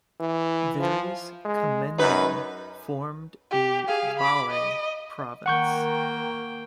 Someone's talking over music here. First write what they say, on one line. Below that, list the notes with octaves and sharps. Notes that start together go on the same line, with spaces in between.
Various "Kommenden" formed a "Ballei" province.
E3
F3
G#3
F#2 D#4 B4
G4
G#4 F5
B5 D6
D#5
D#3 A#3 F#5 G5 C#6 G6